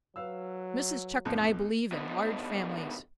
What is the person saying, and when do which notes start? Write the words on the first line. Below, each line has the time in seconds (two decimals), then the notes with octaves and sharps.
"Mrs. Chuck and I believe in large families."
0.16 F#3 B4 F5 E6
1.25 B1 F2 A2
1.92 F2 B2